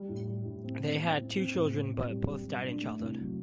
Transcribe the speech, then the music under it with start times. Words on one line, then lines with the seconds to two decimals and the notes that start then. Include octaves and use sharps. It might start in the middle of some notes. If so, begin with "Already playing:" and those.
They had two children, but both died in childhood.
Already playing: G3
0.09 A2
0.28 G3
0.45 A2
0.63 C4
0.82 C4
1.00 C4
1.18 C4
1.36 C4
1.54 A2
1.72 C4
1.90 C4
2.08 G3
2.27 G3
2.45 G3
2.63 D4
2.81 A3
3.00 C2
3.18 F#3